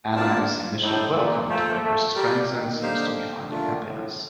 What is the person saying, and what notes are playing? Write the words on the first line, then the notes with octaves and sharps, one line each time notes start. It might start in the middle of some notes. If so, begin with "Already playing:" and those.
Anna is initially welcomed by Chris's friends and seems to be finding happiness.
G2 A#3 F4 A#4 D5 A5
A2 D#4 A4 C5
A#2
A3 A#3 F4 C5 G5
A3
G3 G4 A#4 D5 G5
D#3
D3 A#3 D#4 G4 C5 F5
A#2 A3 D4 F4
A2